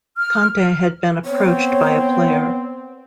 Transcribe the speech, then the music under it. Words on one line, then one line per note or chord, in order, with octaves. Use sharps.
Conte had been approached by a player.
F6
B3 C4 C#5